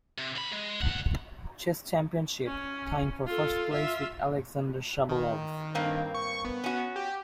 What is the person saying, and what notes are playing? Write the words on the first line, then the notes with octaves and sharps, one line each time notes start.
Chess Championship, tying for first place with Alexander Shabalov.
C3
D2 B5
G#3
E2 F#5
C#4
F4 A4
F4 E5
D#3
G2 A#3 C4
C#6
B3
C#4 F#4
G4